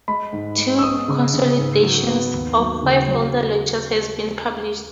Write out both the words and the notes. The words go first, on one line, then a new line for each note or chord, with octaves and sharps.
Two consolidations of five older lectures have been published.
G#3 B5
G#2
G#3
E6
B3 D#6
C#3
C#3
G#2
F#3
B3
D#2
F#3
C#3
F#3